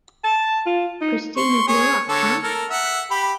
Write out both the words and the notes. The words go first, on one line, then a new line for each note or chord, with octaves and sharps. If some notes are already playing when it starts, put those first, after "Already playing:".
Pristina blew up, huh?
A5
F4
D#4
C6 C#6
G#4 C#5
D3 A4 C#5
A4 A#4
E5 F#5
G4 B5